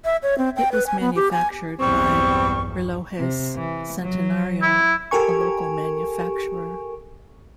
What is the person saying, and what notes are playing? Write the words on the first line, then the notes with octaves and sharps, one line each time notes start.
It was manufactured by Relojes Centenario, a local manufacturer.
E5
C#5
C4
G5
B4
G#5
B3
G4
G#5
B1 E2 G2 G3 B3 C4 C#6
C3
E3
F#3
E4
G4 A4 A#4 G#5 C#6